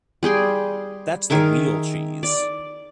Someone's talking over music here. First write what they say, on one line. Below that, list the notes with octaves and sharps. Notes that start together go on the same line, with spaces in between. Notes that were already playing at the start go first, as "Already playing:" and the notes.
That's the real cheese.
G3 G#4 G5 C6
D#3 G#4 A#4 E5
D5